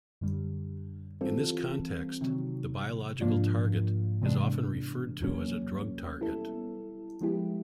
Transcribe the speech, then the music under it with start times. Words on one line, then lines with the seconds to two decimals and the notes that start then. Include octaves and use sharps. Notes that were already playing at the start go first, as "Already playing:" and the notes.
In this context, the biological target is often referred to as a drug target.
0.21 F#2 D3 G3
1.21 E3 G3 C4 F4 A4
2.21 C3 D#3 F#3
3.21 G#2 F3 A#3 D4 F4
4.22 C3 E3 G#3 B3 D4
5.21 E2 B2 F#3 A#3 C#4
6.21 G3 B3 E4 A4
7.21 F3 G#3 B3 E4 G4